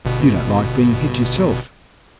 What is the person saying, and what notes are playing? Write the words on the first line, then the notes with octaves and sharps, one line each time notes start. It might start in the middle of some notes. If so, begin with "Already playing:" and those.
You don't like being hit yourself.
G1 B2